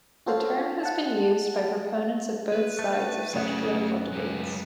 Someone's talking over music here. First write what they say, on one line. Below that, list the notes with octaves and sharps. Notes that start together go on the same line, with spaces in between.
The term has been used by proponents of both sides of such political debates.
F4 F#4 A4 C5 C#5 F5
F#5 A5
B4
A3
F#2 C#3 A3 B3 F#5
G#3 B4